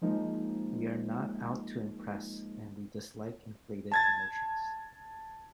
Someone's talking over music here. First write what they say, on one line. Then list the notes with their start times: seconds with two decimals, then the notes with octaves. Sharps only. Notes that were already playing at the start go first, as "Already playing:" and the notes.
We are not out to impress, and we dislike inflated emotions.
0.02 F3 G#3 A#3 D#4
3.92 A5 G#6 A6